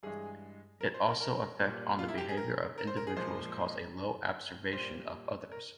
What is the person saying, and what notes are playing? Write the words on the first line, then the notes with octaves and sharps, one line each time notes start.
It also affect on the behavior of individuals cause a low abservation of others.
G2 E3 G#3 G#4
A#4
C5
A#4
A#4
A#2 G3
F4
E4
G4
G#4
A#4
A#4
C5
A#4
G#4
A#2 F3 G#3 C5
A#2 G3 C5
A#4